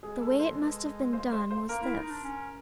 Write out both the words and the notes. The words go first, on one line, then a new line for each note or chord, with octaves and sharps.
The way it must have been done was this.
G#3 G#4
A4
G#3
C5
B4
C5
C5
C5
A#3 A#4
E4
D#4
D4
C#4